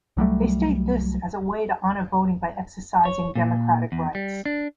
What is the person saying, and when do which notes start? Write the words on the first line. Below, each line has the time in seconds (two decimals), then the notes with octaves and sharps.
They state this as a way to honor voting by exercising democratic rights.
0.17 C2 F#3 G3 A3
3.05 C#5
3.35 A#2
3.92 E2
4.15 G3
4.46 D4